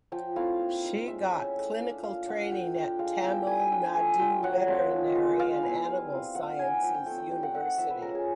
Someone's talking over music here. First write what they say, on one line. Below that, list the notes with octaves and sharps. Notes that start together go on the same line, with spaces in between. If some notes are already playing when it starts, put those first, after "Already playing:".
She got clinical training at Tamil Nadu Veterinary and Animal Sciences University.
F3 G5
A3 C4 E4 F5
A#3
D#4
G#3 E5
C#4 E4
A3
D4 F4
A#3 F5
D4 F4 F#5
A3 G5
D4 F4 G5
G#3 F5
B3 E4 G5
A3 G#5
G5
D4 F4 G5
G#5
A3 G#5
D4 F4 G5
F#3 F#5
A3 C4 F4
F3
G#3 B3
G#3 F5
B3 E4
G3
C4 F4
A#3 F#5
D#4 G#5
F3 G5
G5
A3 C4 G5
G5
G3 G5
F#5
C4 D#4 F#5
F#5
F3 E5
B4
G#3 C#4 A#4
G#4